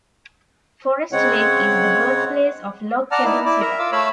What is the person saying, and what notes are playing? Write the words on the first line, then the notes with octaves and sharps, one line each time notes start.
Forest Lake is the birthplace of Log Cabin Syrup.
C#3 G#3 C4 C#5 F#5
D5 F#5 A5 A#5 F6
D#4 E4 D5
E4 D5
A#4 E5 A#5
F4 F5 D6 E6
A3 C#5 E5 F5 B5 E6